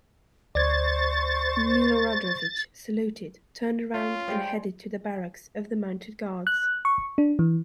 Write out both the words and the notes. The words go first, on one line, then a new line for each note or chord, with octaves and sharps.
Miloradovich saluted, turned around, and headed to the barracks of the Mounted Guards.
D2 C5 D5 C#6 G#6 A6
C#4 F4
G3 G#3 C5 G5
F#6
C#6
D4
E3